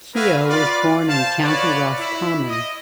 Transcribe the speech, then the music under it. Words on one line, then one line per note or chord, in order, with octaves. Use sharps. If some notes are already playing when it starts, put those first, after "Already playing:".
Keogh was born in County Roscommon.
F#4 G#4 A#4 B4 E5 F5
F4 B4 D5
C5 F5 A5
F4 F#4 B4 C#5 D5
E4
D#5